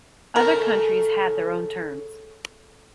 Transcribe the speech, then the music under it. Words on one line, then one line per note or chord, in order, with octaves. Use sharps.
Other countries had their own terms.
C#3 A3 A4 A#4